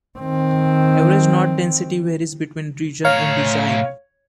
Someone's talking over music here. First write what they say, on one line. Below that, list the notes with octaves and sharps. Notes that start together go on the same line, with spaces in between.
Average knot density varies between region and design.
D#3 C4
A2 C#5 F5 A#5